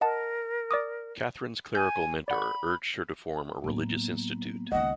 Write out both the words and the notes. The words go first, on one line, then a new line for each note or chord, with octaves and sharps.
Catherine's clerical mentor urged her to form a religious institute.
A#4 D#5 F#5 A5
D5 D6 D#6
G#5 G6
D5 F#5 B5
A2 F#3 A#3 B3
C#2 D#3 D#5 F#5